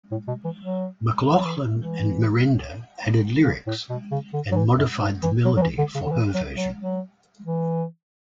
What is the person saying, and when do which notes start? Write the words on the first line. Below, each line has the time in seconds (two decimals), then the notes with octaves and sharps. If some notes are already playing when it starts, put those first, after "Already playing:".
McLachlan and Merenda added lyrics and modified the melody for her version.
0.12 A2
0.28 B2
0.45 E3
0.61 F#3
1.37 F#3
1.45 E3
1.78 E3
3.45 C#3
3.67 A2
3.90 B2
4.11 C#3
4.33 D3
4.52 F#3
4.56 E3
4.78 F#2
5.00 G#2
5.23 E3
5.45 F#3
5.57 F#3
5.62 E3
5.78 D3
5.95 C#3
6.06 D3
6.12 E3
6.34 F#3
6.57 F#3
6.81 F#3
7.45 E3